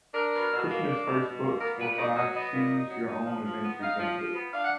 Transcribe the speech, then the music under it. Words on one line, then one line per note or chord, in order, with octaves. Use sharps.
Kushner's first books were five Choose Your Own Adventure gamebooks.
D4 A#4
B2
B2
A#3
D4
B2
B2
A#3
B3 A#4
A#2 B4
B4
D#4 D5
F#3 D#5
B3 D#5
A#2
D#4
F#3
D#4
F3
F3
B3
D#4 F5
F3
F3
B3
D4 F5
F#5